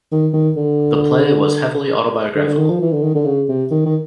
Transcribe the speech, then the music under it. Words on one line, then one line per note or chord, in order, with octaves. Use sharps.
The play was heavily autobiographical.
D#3
D#3
D3
D3
D3
D#3
F3
E3
D3
D#3
D3
C#3
C3
D#3
D#3